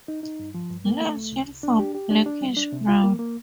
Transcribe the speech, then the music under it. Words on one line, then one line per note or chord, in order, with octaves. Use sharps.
Limbs uniform blackish brown.
D#4
D#4
G2
F3
G2
A#3
A3
C2
C2
C2
D4
G4
G4
D4
D4
G3
D4
C3
F4
A#3
A#3